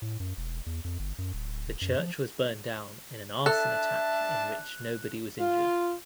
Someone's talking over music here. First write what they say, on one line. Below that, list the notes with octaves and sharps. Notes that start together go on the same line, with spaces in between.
The church was burned down in an arson attack in which nobody was injured.
A2
F#2
E1
E2
F2
G1
F#2
D1
D1
F#2
F3
D4 A4 E5 A5 F#6
F4